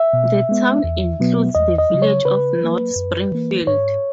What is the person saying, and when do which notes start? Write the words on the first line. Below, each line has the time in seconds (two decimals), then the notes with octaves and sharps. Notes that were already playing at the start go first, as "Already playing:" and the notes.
The town includes the village of North Springfield.
Already playing: E5
0.13 B2
0.49 G#3 B3
0.84 E2
1.19 B2 F#3 B3
1.55 E2 D#5
1.78 D#5
1.90 C#3 F#3
2.02 C#5
2.25 C#3 B4
2.60 F#3 A#3
2.96 F#2
3.32 E3 A#3
3.67 G#2 C#5